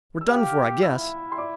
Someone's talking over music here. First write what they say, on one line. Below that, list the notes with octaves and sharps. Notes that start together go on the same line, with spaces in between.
"We're done for, I guess."
E6
G4 F5 F6
E4 E5 E6
C6
D5 D6